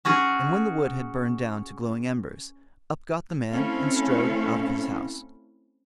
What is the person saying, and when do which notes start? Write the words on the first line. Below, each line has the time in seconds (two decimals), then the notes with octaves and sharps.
And when the wood had burned down to glowing embers, up got the man and strode out of his house.
0.05 C#4 F#4 G#4
3.52 A3 C4 C#4 E4 A4 F5